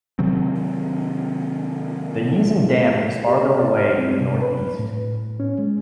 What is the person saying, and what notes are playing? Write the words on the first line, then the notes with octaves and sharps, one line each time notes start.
The Yezin Dam is farther away in the north-east.
C3 D#3 F#3 C4
G4
D5
F6
C4
C3
B4
A2
C#4
G#3